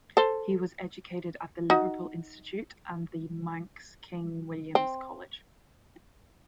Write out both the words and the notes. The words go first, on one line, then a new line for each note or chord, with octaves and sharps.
He was educated at the Liverpool Institute and the Manx King William's College.
A4 C5
D#4 F#4
C4